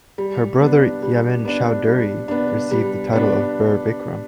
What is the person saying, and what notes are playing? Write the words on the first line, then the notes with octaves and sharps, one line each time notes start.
Her brother Yamin Chowdhury received the title of Bir Bikram.
G3
B3 D4
G3
B3 D4
G3
B3 D4
G3
B3 D4